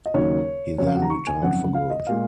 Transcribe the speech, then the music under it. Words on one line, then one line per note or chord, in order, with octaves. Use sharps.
He then retired for good.
D#5
D#2 C#3 F#3 A#3 D#4 C#5
F2 C#3 F#3 C#5
F5
F#5
A#5
C#6
G#5
G#1 F#2 F3 F#5
F5
D#5
A#2 G#3 F5